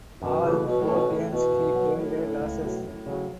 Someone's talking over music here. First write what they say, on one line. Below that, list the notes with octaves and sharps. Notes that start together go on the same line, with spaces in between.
All four games he played were losses.
F#2 B2
C#3 E3 A3
B2 F#3
A2
B2 C#4 A4 C#5
A2 C#3
B2 E3 B3
F#2
F#3 B3
A2 F#3
C#4 E4
C#2
B2 F#3 A3
F#2 A2
C#3 F#3